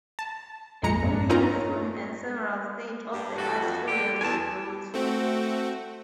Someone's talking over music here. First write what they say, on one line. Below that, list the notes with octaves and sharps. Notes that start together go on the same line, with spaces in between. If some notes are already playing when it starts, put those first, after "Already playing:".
A new newsroom and several state-of-the-art studios were built.
A5
A#1 F2 G#3 A#5 C#7
G2
C4 C#4 D#4 F4 A#4 A#5
G2
E3 F#4 G4 A4
F2
D3 G4
E2 G#5 A5
A3 C4 F#4